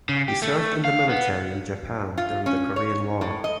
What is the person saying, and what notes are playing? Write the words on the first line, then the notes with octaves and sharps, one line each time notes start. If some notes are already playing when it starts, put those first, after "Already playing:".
He served in the military in Japan during the Korean War.
C#3
G4
A3
F5
B3
F4
C#4
C#5
A2
D#5